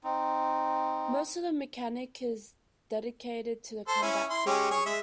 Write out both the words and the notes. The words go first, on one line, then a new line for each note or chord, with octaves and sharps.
Most of the mechanic is dedicated to the combat system.
C4 D#4
A4 C5 C6
C#4 E4 G#5
E4 C6
G#3 C#4 G4
G#4 C#5 C#6
G#3 E5